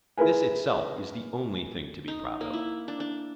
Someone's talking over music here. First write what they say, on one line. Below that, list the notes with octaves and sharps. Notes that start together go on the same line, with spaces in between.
This itself is the only thing to be proud of.
E4 G#4 A#4 B4 G#5
D#4
A#3
E4
D4
D4